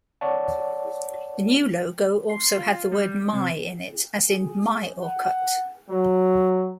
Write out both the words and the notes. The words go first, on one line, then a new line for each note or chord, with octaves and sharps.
The new logo also had the word "My" in it, as in My Orkut.
C#5 D5 F#5 A5
C6
F4
G3
C3
G#4
F#5
F#3